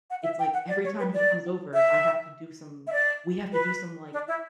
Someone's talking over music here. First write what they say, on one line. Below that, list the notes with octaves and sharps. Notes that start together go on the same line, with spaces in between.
it's, like, every time he comes over, I have to do some we have to do some, like,
F#5
E5
G5
F#5
D5
C#5
B4
D5
E5
E5
D5
B4
D4
E4